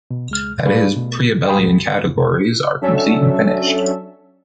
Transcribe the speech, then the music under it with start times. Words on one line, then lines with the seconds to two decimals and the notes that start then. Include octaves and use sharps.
That is, pre-abelian categories are complete and finished.
0.11 B2
0.29 C#2 G#3 F6
0.66 G3 G#3 G#4 B4 D5 F5
0.94 B2 A3
1.47 F5 G5 G#5 B5 C6 D#6
1.59 C2 A2 F#3 G#3 F#4
2.81 F#3 C#4 D4 A4 E5